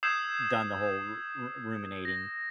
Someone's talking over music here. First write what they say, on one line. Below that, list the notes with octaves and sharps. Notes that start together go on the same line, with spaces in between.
done the whole ru ru ruminating.
D#6 E6 G6 G#6 C7 E7
A#6